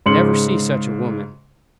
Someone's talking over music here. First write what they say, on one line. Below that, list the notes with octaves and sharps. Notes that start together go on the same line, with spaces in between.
I never see such a woman.
G#2 C#3 C6 C#7 F#7